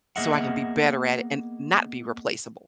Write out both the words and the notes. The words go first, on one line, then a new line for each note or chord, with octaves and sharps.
so I can be better at it and not be replaceable?"
A#3 B3 G#4 D#5 E5 F#5